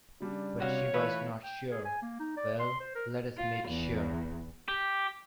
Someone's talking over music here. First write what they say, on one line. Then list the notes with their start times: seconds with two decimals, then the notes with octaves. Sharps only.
But she was not sure - well, let us make sure!
0.20 C#3 G3 D4
0.60 C3 F#4 C#5 F5
0.94 E3 A3 F4 B4 E5 C#6
1.43 G5
1.71 G#4
1.85 G#5
2.02 A#3
2.19 D#4
2.37 D5
2.60 C6
2.80 C5
2.95 A#4
3.37 F4
3.68 E2
4.68 G4